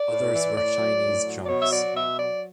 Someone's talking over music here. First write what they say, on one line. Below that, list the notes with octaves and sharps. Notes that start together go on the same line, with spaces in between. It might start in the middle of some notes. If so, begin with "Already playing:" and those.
Others were Chinese junks.
Already playing: D5
A2
E3
A2 D5
F#3
A2
F#3
D5
B2 C#5
E5
F#3 D5
B2 E5
F#3 D5